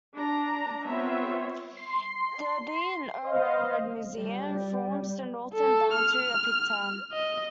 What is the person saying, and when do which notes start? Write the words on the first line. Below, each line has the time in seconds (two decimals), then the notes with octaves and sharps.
The B and O Railroad Museum forms the northern boundary of Pigtown.
0.15 D4 A#5
0.87 B3 C4 F4 C5 C#5 E5
1.77 C6 C7
3.22 C5 D#5 F5
4.16 G3
5.54 A4
5.95 F6
7.13 D#5